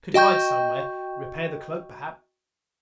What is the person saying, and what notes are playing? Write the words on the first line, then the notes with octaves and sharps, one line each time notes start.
I could hide somewhere, repair the cloak perhaps.
F#4 D#5 G5 C#6 G6